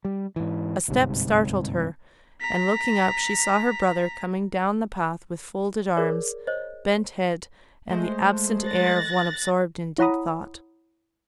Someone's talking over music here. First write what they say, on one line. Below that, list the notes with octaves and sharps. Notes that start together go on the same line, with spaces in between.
A step startled her, and looking up she saw her brother coming down the path with folded arms, bent head, and the absent air of one absorbed in deep thought.
G3
G#2 E3
G1 C2 G#2 C3
A#5 B6
G#4 A#4 C#5 D5
C5 C#5 D#5
G#3 A3 C5
F#6 A6 A#6
E4 C#5 F#5 A#5 B5 D#6